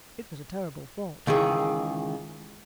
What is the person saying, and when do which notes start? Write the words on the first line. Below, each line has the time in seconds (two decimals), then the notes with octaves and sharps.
It was a terrible thought.
1.27 C#2 D#3 E3 G#4